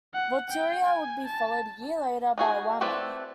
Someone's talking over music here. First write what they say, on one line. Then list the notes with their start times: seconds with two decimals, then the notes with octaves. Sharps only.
"Vortura" would be followed a year later by "Wammo".
0.14 F#5
0.50 G5
0.84 G#5
1.26 A5
2.38 D#4 F#4 G#4
2.81 A3 C4 E4 B4 D5